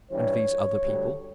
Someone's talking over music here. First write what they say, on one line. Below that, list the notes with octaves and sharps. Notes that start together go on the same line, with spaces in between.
"And these other people?"
G2 E3 G3 C#5
D2 D3 G3